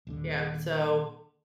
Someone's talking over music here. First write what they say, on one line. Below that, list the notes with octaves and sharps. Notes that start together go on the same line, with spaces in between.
Yep, so,
D#1 D#2 D3